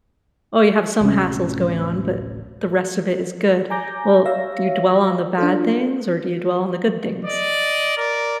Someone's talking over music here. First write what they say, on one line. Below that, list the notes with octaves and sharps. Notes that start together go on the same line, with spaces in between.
oh, you have some hassles going on, but the rest of it is good. Well, do you dwell on the bad things or do you dwell on the good things?
D1 A1 C3 C#4
G#5 A#5 D6 G6 A#6
C#5 E5 F5 E6 A#6
D4 F4 A4
D5 D#5
A#4 D5